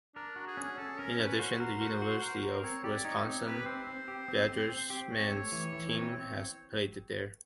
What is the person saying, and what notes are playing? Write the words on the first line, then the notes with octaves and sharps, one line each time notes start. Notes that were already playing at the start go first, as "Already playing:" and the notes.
In addition, the University of Wisconsin Badgers men's team has played there.
D4 A#4
F#4
G#4
C#4
C#4 A4
C#4 A#4
C#4 B4
F#4 C5
A#4
F#4
F#4
A#4
A#4
C4 C#5
G4 D5
D#4 C#5
C4
G4 B4
C4 C5
C4
G4
C4
C4
C4
G4
C4 C#5
A3
E3
E3
C4
C4